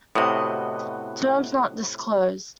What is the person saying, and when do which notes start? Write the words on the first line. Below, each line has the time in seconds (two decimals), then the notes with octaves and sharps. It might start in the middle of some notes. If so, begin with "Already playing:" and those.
Terms not disclosed.
0.15 A2 C3 B3 F#4 D#5